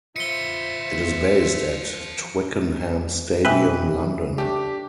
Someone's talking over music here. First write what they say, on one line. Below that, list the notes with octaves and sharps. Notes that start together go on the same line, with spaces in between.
It is based at Twickenham Stadium, London.
F3 F4 B4 C5 E5 C#7 G7
B2 E3 G#3 B4 E5 G5
A3 D4 G4